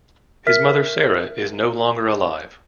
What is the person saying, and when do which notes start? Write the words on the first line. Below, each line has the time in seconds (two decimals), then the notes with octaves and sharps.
His mother Sara is no longer alive.
0.47 A#4 E5 F6 B6